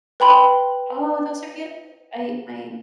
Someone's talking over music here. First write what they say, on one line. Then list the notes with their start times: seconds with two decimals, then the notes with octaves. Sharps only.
Oh, those are beautiful. I My
0.20 B4 G5 B5 C6